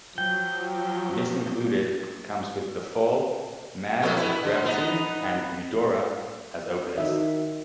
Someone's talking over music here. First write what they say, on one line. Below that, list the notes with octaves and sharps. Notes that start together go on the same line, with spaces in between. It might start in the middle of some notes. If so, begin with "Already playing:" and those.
This included Comes With the Fall, Mad at Gravity and Udora as openers.
F3 F#3 G5
F2 A#2 A4
B3 E4
D3
B3 D#4
D#3 D#4 F#4 E5